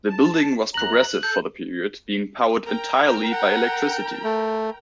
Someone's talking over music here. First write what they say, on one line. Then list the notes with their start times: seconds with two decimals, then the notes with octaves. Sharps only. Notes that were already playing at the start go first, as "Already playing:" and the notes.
The building was progressive for the period, being powered entirely by electricity.
0.09 A5
0.74 F#2 A#5 F#6 F#7
1.23 A4 G6
2.65 A#4 G5 A#5
3.32 F#5
4.24 A3